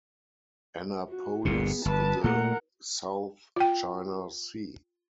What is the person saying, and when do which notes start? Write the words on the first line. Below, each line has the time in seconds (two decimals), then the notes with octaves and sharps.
Annapolis in the South China Sea.
1.09 F#4
1.45 G1 D2 A#2 B3 G#4
1.85 G1 B4 A5
2.24 A#2 A3 A#4 F#5
3.56 F4 G5